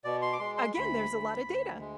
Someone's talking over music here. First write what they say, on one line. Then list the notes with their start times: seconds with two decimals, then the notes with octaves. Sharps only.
again, there's a lotta data.
0.04 B2 D5
0.22 C6
0.33 D6
0.39 G#3 C6
0.57 C6
0.75 D2 B5
1.10 D2
1.44 D2
1.80 G#3